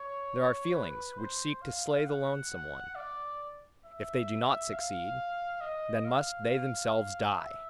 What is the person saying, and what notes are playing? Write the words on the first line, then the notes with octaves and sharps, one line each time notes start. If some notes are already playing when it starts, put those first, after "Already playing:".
There are feelings which seek to slay the lonesome one; if they do not succeed, then must they themselves die!
Already playing: C#5
B4
C5
F5
F#5
D5
E5
F5
D#5
F5
F5
E5